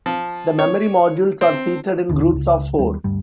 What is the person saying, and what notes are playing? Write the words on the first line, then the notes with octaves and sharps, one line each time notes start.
The memory modules are seated in groups of four.
F3
C#5
C4
A#1 D#2 D3 E3
C#2
D#2 G3
D2 G2 G3